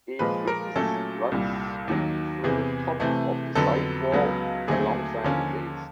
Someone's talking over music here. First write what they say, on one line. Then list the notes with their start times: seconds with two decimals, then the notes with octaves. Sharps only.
A frieze runs through the top of the side wall alongside the base.
0.19 A#2 F3 G#3 B4
0.47 A#4
0.75 A#2 F#3 A3 C#4 A4
1.32 C2 A#2 G3
1.88 D#2 D#3 F#3
2.44 E2 C3 E3 G#4
3.00 C3 E3 A3
3.55 F2 D3 F#3 B3 A4
4.12 C#2 C#3 F#3 B3
4.68 D#2 D3 F#3 A3 C4 G#4
5.24 D#2 D3 F3 A#3 C#4